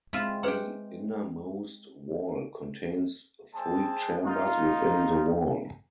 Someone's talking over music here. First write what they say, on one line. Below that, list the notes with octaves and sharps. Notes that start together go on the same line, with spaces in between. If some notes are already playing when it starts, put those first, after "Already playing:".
The innermost wall contains three chambers within the wall.
G#3 C4 E4 F4
G#4 B4 F#5 G5 A#5
G#3 C4 G#4 A5
D#4 F4